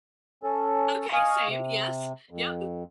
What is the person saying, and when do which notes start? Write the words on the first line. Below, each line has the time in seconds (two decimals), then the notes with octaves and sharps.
Okay, same, yes. Yup.
0.43 C#4 A4
1.13 D#5 F5 G#5 C#6
1.48 C3
2.30 F2